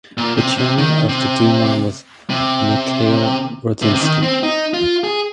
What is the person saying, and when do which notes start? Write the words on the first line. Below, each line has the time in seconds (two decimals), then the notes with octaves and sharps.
The Chairman of the Duma was Mikhail Rodzianko.
0.18 A#2
0.37 C3
0.58 C3
0.78 D#3
1.09 C3
2.30 C3
3.82 C3
3.94 C3
4.02 D#3
4.23 C4
4.43 D#4
4.74 F4
5.04 G#4